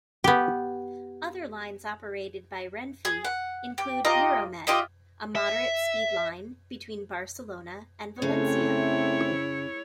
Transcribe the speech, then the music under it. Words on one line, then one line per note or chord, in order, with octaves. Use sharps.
Other lines operated by Renfe include Euromed, a moderate-speed line between Barcelona and Valencia.
B3 G4
G#4
F#5
G4
F4 G4 D#5 A#5
F4 G4 D#5 E5
E5
C#3 A3 C4 E4 C#5